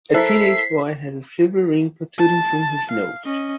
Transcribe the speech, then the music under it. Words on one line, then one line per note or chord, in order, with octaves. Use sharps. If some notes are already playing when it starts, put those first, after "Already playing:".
A teenage boy has a silver ring protruding from his nose.
E4 A4 A#4 C5 B6 C7
A5
F5
C#4 D#5